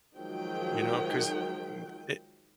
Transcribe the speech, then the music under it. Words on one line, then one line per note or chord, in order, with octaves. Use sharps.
you know, 'cause n it
D#3 F3 F#3 G#3 G5